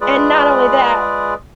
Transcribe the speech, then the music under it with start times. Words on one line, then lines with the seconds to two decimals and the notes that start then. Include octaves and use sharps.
and not only that,
0.01 G#3 F4 G#4 B4 D5